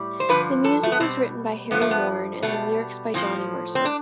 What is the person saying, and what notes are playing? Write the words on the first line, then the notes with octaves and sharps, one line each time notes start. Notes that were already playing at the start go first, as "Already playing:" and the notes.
The music was written by Harry Warren, and the lyrics by Johnny Mercer.
Already playing: A2 G3
C5
G2 D3 F3 B4
A4
A3
B3
B2 G3 C4
G2 F3 B3
A3
B3
B2 G3 A3
A2 F3 C4
C4
D4